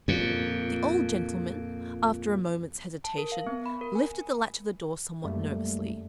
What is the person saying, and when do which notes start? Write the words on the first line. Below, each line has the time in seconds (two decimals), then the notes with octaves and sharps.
The old gentleman, after a moment's hesitation, lifted the latch of the door somewhat nervously.
0.08 F2 A#2
3.04 A5
3.18 A#4
3.32 F5
3.47 B3
3.66 B5
3.81 A#4
3.95 G#5
5.24 F#2 G3 A3 A#3